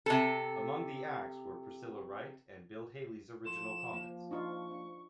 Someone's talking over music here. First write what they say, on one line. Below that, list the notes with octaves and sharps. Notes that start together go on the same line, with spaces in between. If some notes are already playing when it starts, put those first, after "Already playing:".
Among the acts were Priscilla Wright, and Bill Haley's Original Comets.
C3 A4
F3 A4 C6 E7
A#3
D4 D#4 F4 C#6
D4